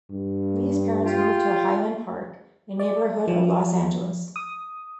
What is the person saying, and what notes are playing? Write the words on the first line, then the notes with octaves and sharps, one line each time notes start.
Lee's parents moved to Highland Park, a neighborhood of Los Angeles.
G2
F4 G4 G5
D5
F3
D#6